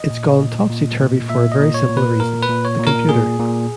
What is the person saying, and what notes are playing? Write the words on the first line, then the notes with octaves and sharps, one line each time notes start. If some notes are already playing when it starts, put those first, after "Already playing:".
It's gone topsy-turvy for a very simple reason - the computer!
Already playing: D#5
A#2
A#2
A#2
A#2
A#2 E5
D#5
A#2
C#5
A#2
B4
A#2 A#4
B4
A#2
C#5
A#2
A#4
A#2 G#4
A#2